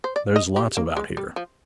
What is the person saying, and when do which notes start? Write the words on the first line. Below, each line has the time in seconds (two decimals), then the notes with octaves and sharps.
'There's lots about here.'
0.04 C5
0.16 D5
0.36 D#5
0.56 G4
0.77 A#3
0.97 G#3
1.17 G3
1.36 F3